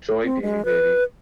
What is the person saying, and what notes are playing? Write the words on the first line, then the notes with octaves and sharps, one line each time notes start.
Joy, beauty baby.
C4
G#3
B4